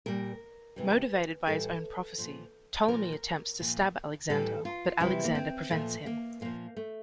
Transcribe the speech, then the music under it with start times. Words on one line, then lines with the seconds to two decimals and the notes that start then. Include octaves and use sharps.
Motivated by his own prophecy, Ptolemy attempts to stab Alexander, but Alexander prevents him.
0.06 A#2 G3 A#4
0.76 C3 E3 G3
1.47 A2 E3 G3 A4
2.18 A#2 F3
2.88 A#2 F3 A#4
3.60 A#2 F3
4.29 A2 E3 G3 A4
4.65 F4
5.00 C3 E3 G3 E4
5.24 A#3
5.35 C4
5.70 A#2 F3 A3
6.06 A#3
6.41 A#2 F3 A#3
6.77 A3